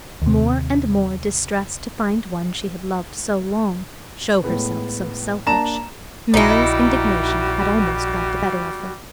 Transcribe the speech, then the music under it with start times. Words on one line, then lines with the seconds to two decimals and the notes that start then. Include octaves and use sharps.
More and more distressed to find one she had loved so long show herself so selfish, Mary's indignation had almost got the better of her.
0.22 D#2 C3
4.44 A2 G#3 B3
5.47 A#3 D4 A5 A#5 E7
6.34 A#1 G3 D#4 E4 F#4